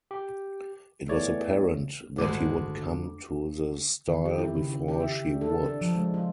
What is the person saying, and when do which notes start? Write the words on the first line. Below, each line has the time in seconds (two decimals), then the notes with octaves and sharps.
It was apparent that he would come to the stile before she would.
0.11 G4
1.09 E2 A3 C#5 D5
2.18 A1 D2 G2 D3 D#3 G3 G#3 D6
4.08 D#3
4.25 G4
4.38 E4
4.57 C#3
4.88 G4
5.00 E5
5.26 D4
5.41 A4
5.64 D4
5.81 F3
5.95 G#3
6.14 F4